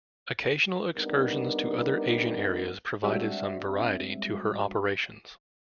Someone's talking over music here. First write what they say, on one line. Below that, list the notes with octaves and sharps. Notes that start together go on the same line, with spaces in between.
Occasional excursions to other Asian areas provided some variety to her operations.
G3 B3 C4 D4 D#4 A#4
G3 G#3 C4 D4 F#4 E5